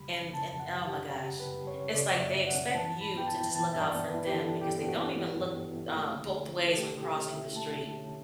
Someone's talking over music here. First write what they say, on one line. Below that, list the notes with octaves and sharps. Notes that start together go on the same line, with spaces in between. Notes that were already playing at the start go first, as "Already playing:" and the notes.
and and oh my gosh, it's like they expect you to just look out for them because they don't even look, um, both ways when crossing the street.
Already playing: F#2 C#3 G3 B5
C#4
C#3 A5
F#2
F#5
G3
G4
C#4
C#3 G4
F#2
B4
G3
C#5
C#4
C#3 D5
F#2 D5
E5
G3
F#5
C#4
E3 A5
G2
B5
B3 G5
A5
E4
E3 A5
G2 E5
D5
B3
B4
E4
G4
E3 A4
G2
G4
B3
F#4
E4
E3
G2
B3
E4
A3
D3
C#4
E4
A4
A3 G4
D3
G4
C#4
E5
E4
A3 A5
D3
C#4